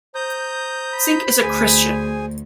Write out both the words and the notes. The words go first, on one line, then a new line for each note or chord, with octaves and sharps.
Cink is a Christian.
C5 A#5 D#6 G6
B5
D2 G#4 G#5